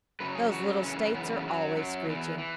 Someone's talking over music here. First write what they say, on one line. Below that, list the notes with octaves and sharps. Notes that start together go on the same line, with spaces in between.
Those little states are always screeching.
F#2 C#3 F#3 B4
G#4
F#2 C#3 F#3 F#4
F#2 C#3 E3 C#4
F#2 C#3 E3 B3
F#2 F#3
F#2 F#3
E2 E3
E3